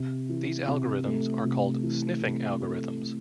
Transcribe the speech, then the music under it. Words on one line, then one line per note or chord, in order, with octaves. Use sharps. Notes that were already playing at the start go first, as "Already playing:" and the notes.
These algorithms are called sniffing algorithms.
Already playing: C3
E3
C3
A3
C3
E3
C3
A3